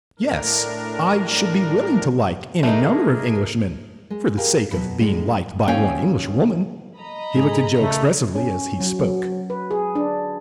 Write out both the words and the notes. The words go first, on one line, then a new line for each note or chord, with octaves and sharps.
"Yes--I should be willing to like any number of Englishmen for the sake of being liked by one Englishwoman." He looked at Joe expressively as he spoke.
A2 D4 A#4
A3 D4 D#4 G#4 A#4
G#3
G4 G#4 A#4 F5 G5 G#5
B2 F#3 B4
D2 A2 G#3 D4
D#2 C#4 F5 G5 G#5
D#5 A#5 B5
G#2 G#4
C#3 A3
C#4
F#3
F#3
B4
G#4
D4